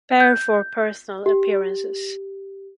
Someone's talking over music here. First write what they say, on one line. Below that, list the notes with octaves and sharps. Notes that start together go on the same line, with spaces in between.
Bear for personal appearances.
G6
G4